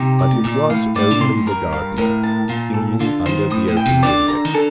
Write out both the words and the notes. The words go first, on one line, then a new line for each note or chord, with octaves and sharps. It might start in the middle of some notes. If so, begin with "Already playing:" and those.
But it was only the Gardener, singing under the open window.
Already playing: C3 D#4 G4
D5
A2
A#2 D5
A2 F5
A2 D5
D3
C3 C6
A#2
A2
G2 A#4
F5
A2 A#4
A5
A#2 F4
A4
D3 F4
D#3 C5
A2 D#6
A2
G5
C3
D3 D5
A#5
D#3
D3 A4